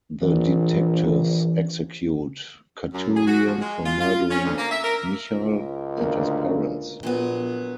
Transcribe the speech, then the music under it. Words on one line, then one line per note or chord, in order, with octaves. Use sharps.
The detectives execute Katurian for murdering Michal and his parents.
A#1 E3
F#2
G#4
F#4
F3
G#3
F4
F4
C#4
D2
A#3
E5
A#4
C#2
D2 A#3 A#4
A#1 A#2 F#3 B3